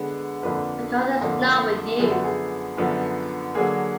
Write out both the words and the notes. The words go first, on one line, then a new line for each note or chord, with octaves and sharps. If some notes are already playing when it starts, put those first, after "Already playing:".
Because is not with you.
Already playing: D3 G#3 B3
F2 D3 F3 A#3 B4
F2 D3 F3 A#3
F#2 D3 F3 B3 G#4
F#4
G#4
F#2 D3 F3 B3
D3 F#3 A#3 G#4